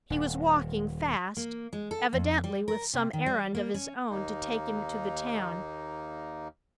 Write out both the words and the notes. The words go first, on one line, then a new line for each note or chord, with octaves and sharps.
He was walking fast--evidently with some errand of his own to take him to the town.
D#1
A#3
G#3
A4
F2
G3
A#4
C3
D#3
G3
A#3
C#4
D#2 A#3 D#4